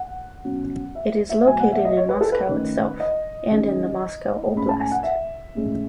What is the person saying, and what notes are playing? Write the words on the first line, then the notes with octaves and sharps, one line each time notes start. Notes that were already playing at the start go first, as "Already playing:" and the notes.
It is located in Moscow itself and in the Moscow Oblast.
Already playing: F#5
B2 F#3 C#4
E5
E5
B2 F#3 A3 G#5
F#5
E5
D#5
C#5
B4
A4
B4
D#3 A3 C#4
D#5
D#3 G#3 C#4
A2 G#3 C#4 B5
A5
G#5
F#5
E5
A2 G#3 C#4